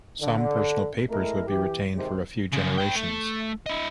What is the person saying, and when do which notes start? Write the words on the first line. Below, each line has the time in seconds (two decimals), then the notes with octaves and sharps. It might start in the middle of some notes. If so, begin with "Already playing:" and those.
Some personal papers would be retained for a few generations.
0.21 D3
1.09 G#3 A3 E4 A#4
1.47 E3 G4
1.95 G#1 G#2 C3 D#3 G4 C5
2.53 C#3 F3
2.78 B4 G5
2.96 A3
3.66 E4 D#5